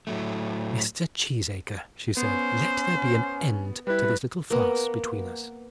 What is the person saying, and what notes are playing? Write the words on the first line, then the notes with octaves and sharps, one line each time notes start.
"Mr. Cheesacre," she said, "let there be an end to this little farce between us."
A2 F#3 A3
B3 C#4 C5
G3 E4 B4
A#3 B3